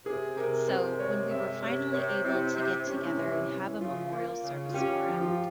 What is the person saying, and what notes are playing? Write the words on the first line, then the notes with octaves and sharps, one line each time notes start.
so when we were finally able to get together and have a memorial service for him
C3 G#4
C3 A#4
C3 C5
G#3 C#5
C3 E5
C3 C#5
C3 C#5
C3 E4
C3
C3 C#4
E4
C#4
E3
E4
E3
C#3 F4
A#3
C#3
F4
C#4 G4
F3
F4